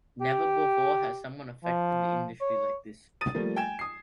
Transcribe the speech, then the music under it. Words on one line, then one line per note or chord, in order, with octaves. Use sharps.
Never before has someone affected the industry like this.
G4
F3
C#5
D#6 A6 D#7
F3 G3 A3 A#3
G5 G#5 G#6 E7
D#6 C7